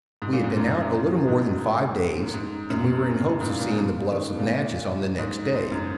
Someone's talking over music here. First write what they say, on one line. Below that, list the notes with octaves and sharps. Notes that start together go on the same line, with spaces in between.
We had been out a little more than five days, and we were in hopes of seeing the bluffs of Natchez on the next day.
G#2
A#2
G#2
F#2
G#2
F#2
G#2
F#2
G#2
A#2
A#2
B2
C#3
D#3
C#3
B2
A#2
G#2
G#2
F#2